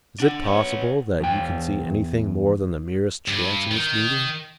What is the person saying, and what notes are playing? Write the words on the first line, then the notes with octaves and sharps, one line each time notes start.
Is it possible that you can see anything more than the merest chance in this meeting?
D4 F#5
B3 C#5
E2 G5
G2
D#3